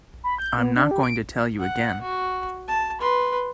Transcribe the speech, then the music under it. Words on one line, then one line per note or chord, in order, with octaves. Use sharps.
I’m not going to tell you again.
B5
G6
B3
D4
G4
D7
F#5
F#4
A5
B4 C6